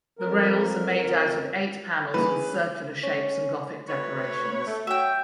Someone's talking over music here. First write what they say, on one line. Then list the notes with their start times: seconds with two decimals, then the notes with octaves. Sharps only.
The rails are made out of eight panels with circular shapes and Gothic decorations.
0.19 F2 A#4
2.14 E3 G3 A#3 C#4 D#4 G#4 B4
3.03 C#4
3.89 D2 B4 C#5
4.67 A3
4.87 F#3 E5 G5